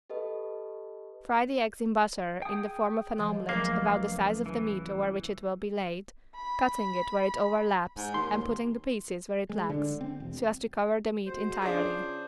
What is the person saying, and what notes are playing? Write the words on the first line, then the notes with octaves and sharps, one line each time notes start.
Fry the eggs in butter in the form of an omelet about the size of the meat over which it will be laid, cutting it where it overlaps and putting the pieces where it lacks so as to cover the meat entirely.
G4 A4 B4 D#5
G#4 G5 D#6
F3 G#3
C#2 F#3 A3 A#3 F5
E3
B5
G#2
D#2 C6
G#3
D3
C4
E1
G#3 F#4 C5
C#3 C#4 D4 F4 G#4